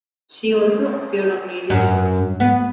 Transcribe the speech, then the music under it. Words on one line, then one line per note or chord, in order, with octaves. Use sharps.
She also appeared on radio shows.
F#2
B3